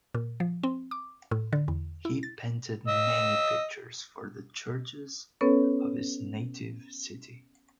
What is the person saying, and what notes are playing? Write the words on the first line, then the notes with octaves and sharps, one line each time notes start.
He painted many pictures for the churches of his native city.
A#2
F3
C4
D6
A2
D3
E2
E4
A6
D#5 E6
B3 C#4 A4 B4 C#5